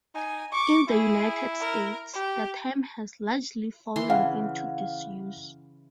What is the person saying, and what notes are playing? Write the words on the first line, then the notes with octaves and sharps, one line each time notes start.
In the United States, the term has largely fallen into disuse.
D#4 G#5
C#6 D6
E4 G#4
A#4
G4
E3 C6
C#3 F5 F#5